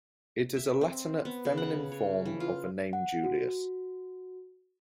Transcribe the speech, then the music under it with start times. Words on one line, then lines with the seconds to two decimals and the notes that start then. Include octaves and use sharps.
It is a Latinate feminine form of the name Julius.
0.57 E5
0.81 C4
1.25 B3
1.45 C#3
1.58 F#5
1.92 C#5
2.26 E3
2.40 F4
2.93 F#5
3.24 F#4